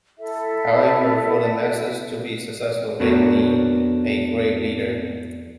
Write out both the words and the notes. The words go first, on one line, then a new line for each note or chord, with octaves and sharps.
However, for the masses to be successful, they need a "Great Leader".
E4 A4 E5
F2 B3 D4 F#4 A#4 C#5